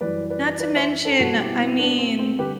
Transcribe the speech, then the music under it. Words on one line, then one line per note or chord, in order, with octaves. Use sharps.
Not to mention, I mean,
F#2 E3 G3 B4 D5
B4 D5
B4 D5
C5 E5
A4 C5
B2 G3 F#4 A4
E4 G4
C4 E4
B3 D4
B3
C4
C4
D3 G3 G4 B4